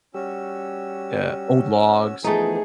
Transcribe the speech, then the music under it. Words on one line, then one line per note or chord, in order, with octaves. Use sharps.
uh, old logs,
G3 C#4 F#4 G4 E6
E3 F3 A3 B3 D#4 G#4